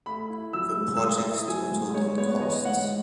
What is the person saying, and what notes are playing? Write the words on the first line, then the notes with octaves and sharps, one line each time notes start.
The project totaled in costs.
A3 B5
E4
F#3 E6
G#2
E6
A3 D#6
E4
F#3 G#5
G#2
G#3 C#5
B3 C#5
C#5
E3 D#5
G#2 F#5